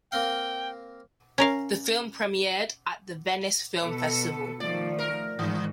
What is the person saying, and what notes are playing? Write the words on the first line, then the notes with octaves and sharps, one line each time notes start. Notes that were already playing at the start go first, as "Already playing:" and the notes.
The film premiered at the Venice Film Festival.
A#3 C4 F5 G5
C#4 A#4 F5
B2 A4 B4
D#3 F3 A3 D5
A#4
G#2 D#3 E3